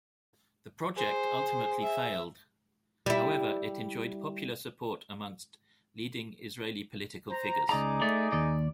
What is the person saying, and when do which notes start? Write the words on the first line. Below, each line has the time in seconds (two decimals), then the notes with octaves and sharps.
The project ultimately failed, however it enjoyed popular support amongst leading Israeli political figures.
0.97 G#4 C5
1.83 E5
3.06 G3 E4
7.30 C5 A#5
7.69 C#2 D#4 G#4 D5 A#5 D6
8.01 A3 D5
8.32 D#2 D5